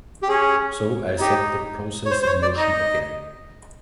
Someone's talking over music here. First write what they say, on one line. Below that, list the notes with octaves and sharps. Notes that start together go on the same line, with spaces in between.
So I set the process in motion again.
G4
C#4 G#4
D#4 G4
C#5
C5
C5
C#5
D5
D#4 D#5